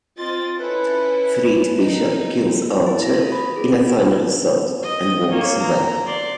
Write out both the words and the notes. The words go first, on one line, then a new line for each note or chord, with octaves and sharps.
Freed, Bishop kills Archer in a final assault and walks away.
C4 F4 D#5 A6
C#4 E4 A4 B4
D#4
E4
A#6
A4
B5
G#4
D#5
A#3 C#5
A#5
D5 C6